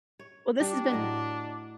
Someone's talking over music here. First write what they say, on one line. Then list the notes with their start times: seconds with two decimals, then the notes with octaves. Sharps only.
Well, this has been
0.19 C#5
0.60 G3 D4
0.91 A2 F#3 D#5